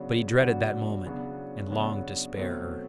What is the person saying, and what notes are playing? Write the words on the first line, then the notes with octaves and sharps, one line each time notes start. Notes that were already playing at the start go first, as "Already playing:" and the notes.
But he dreaded that moment and longed to spare her.
Already playing: C#3 F#3 B3 D4 F#4
C#3 F#3 B3 D4 F#4
C#3 F#3 B3 D4 F#4
C#3 F#3 B3 D4 F#4
B2 F#3 A3 C4